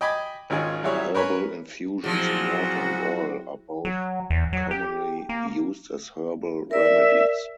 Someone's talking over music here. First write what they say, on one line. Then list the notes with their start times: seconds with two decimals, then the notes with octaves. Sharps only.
Herbal infusions in water and oil are both commonly used as herbal remedies.
0.01 D#5 G5 G#5 B5 D6
0.50 G#1 D#3 C#4 F4 G#4
0.83 F#3 G3 E4 G#4 C#5
1.15 A#4 B4 C#5 G#5 B5
2.04 A#2 F3 F#3 C4 E4 F#4 G#4
3.85 F#3
4.30 E2
4.53 F#3
4.71 G4
5.29 A#3
6.71 A#4 D5 E5